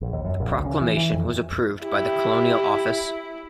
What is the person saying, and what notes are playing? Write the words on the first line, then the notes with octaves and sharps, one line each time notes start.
The proclamation was approved by the Colonial Office.
A#1
D#2
F#2
A#1
D2
C#3
E3
E3
F2
E4 G4